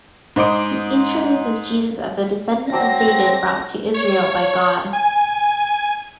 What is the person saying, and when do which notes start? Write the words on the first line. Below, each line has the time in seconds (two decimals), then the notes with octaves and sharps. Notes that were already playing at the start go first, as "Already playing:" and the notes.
He introduces Jesus as a descendant of David brought to Israel by God.
0.36 G#2 C5 D#5 C6 D6 D7
2.72 F#3 C4 D5 A5 A#6
3.94 C#5
4.93 G#5